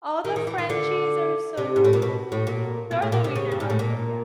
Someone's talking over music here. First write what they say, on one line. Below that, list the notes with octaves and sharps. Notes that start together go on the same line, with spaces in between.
All the Frenchies are so cute. They're the wiener dogs, though. Yeah.
D#3
D#3
E3
D#3
D3
C3
G#2
A2
A#2
B2
A2
A#2
B2
A2
A#2
C3
C#3
G2
G#2
A2
A#2